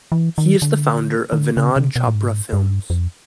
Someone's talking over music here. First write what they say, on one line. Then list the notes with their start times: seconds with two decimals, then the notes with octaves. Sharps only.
He is the founder of Vinod Chopra Films.
0.12 E3
0.38 D#3
0.62 D3
1.33 D#3
1.38 D3
1.57 C#3
1.76 C3
1.96 B2
2.07 A2
2.15 G#2
2.53 G2
2.90 F2